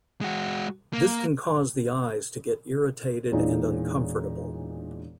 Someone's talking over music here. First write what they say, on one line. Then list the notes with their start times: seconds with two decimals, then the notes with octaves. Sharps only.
This can cause the eyes to get irritated and uncomfortable.
0.21 G#3 F#4
0.93 A#3
3.32 E1 A#2 E3 D4 D#4 C#5